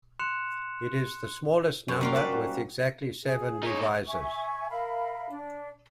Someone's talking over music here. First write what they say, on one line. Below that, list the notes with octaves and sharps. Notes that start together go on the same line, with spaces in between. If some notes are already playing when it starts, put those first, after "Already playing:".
It is the smallest number with exactly seven divisors.
C6 F#6 C#7 E7 F7
F#2 C#5
F#2 G3 A#3 F4 F#4
B4 D5 A5
F#4 C5
G#4
D#4 C#5
E5 G#5 C#6
A#4 E5 F5 B5
D4